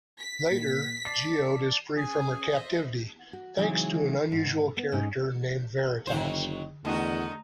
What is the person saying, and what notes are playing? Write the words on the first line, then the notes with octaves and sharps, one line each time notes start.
Later, Geode is free from her captivity, thanks to an unusual character named Veritas.
B6
A#2
D5 A5 C7
C#4 G#4 G#5
C5 D#5 E5
F#4
C#3 E3 F#3 G#3 C4 D#4
G#2 D#3
B3
G#2 C#4 D#4
F#1 D3 D#3 F#3 C5
E2 D3 D#3 A3 F#4 D#5 A#5